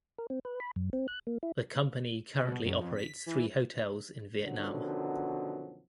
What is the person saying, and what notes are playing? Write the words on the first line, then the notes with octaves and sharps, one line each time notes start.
The company currently operates three hotels in Vietnam.
A#4
C4
B4
B5
F#2
C4
F#6
A#3
E4
B2
F#2
F2
B6
E3
F#2 B2 D3 D#3 F3 F#3